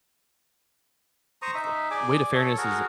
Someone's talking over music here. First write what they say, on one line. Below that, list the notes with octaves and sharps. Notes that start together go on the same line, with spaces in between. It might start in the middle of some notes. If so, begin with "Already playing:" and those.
the way to fairness is
C5 A#5 C#6 D#6
D#4 E5
G#4 D5 G#5 D6
A4 C#5
F#4 G#4 A#4